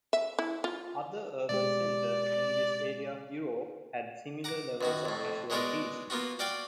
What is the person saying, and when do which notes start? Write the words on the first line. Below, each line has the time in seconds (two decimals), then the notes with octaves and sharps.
Other urban centers in this area of Europe had similar levels of casualties.
0.13 E5
0.39 E4
0.64 F4
1.50 B2 G#3 G4 D5
4.44 F#5 A#5 D6
4.81 F#2 D#3 F#4
5.05 F2 A2
5.50 F#3 G#3 B3 A#4 C#5 D5
6.10 A#3 B3 F4 F#4
6.39 F#4 D5 F5 G5 D6